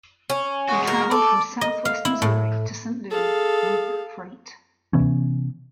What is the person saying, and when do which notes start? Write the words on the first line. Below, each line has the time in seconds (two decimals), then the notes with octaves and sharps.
They traveled from southwest Missouri to Saint Louis with freight.
0.30 C#4
0.69 G#3 F#4
0.87 A#4
1.11 A3 D5
1.61 D#5
1.85 F5
2.05 E4
2.22 A2
3.11 G#4 A4 F5
4.93 C3 E3 B3 C#4